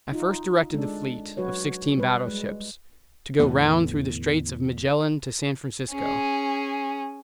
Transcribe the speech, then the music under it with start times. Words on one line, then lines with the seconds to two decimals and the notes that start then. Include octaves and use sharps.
I first directed the fleet, of sixteen battleships, to go round through the Straits of Magellan to San Francisco.
0.12 D#4 F4
0.74 G#3 D4 A4
1.37 F#3 F#4 B4 C#5
1.98 G3 B4
2.28 G#3
3.40 E2 A2 D3 B3
5.92 C#4 G#4